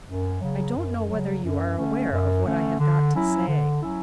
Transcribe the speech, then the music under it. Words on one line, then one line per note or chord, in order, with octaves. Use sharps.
"I don't know whether you are aware of what I have got to say."
F#2
C#3 F#3
F#2
C#3 F#3
F#2
D3 A3 C#4
F#2
D3 A3 C#4
D3
F#3 C#4 E4
D3
F#3 C#4 E4